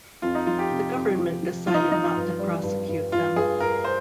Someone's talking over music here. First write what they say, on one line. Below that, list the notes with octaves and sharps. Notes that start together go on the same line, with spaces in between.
The government decided not to prosecute them.
F2 F4
D#4
F3 F4
G4
C3
F2
F3
F3
F3 F4
D#4
F4
F3 D#4
F4
G2
G3
G2
G2
G2 F4
G2 G#4
G2 A#4
C5